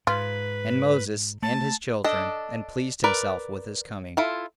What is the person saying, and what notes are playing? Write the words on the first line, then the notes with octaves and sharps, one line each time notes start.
And Moses and his children, and pleased himself with his coming.
G#2 F4 B4
A3 A5
D4 A4 D#5
A#4 B4 D5
E4 F4 A4